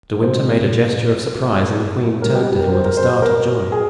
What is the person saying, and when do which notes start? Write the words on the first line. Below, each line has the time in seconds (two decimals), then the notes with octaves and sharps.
De Winter made a gesture of surprise and the queen turned to him with a start of joy.
0.21 C3 F3 G#3 C5
2.22 C#3 G3 A#4
2.35 G4
2.47 G4
2.59 A#4
2.72 C5
2.85 A#4
2.97 C5
3.09 C5
3.22 A#4
3.72 G#4